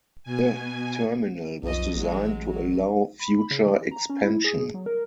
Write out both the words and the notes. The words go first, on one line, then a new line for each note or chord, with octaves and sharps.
The terminal was designed to allow future expansion.
B2 G#5
B1 F2 D#5
A1 F#3 G#3
F#3
B5
B5
C#3
E3
A#5
C#4
E4
G#4
F#3
A#4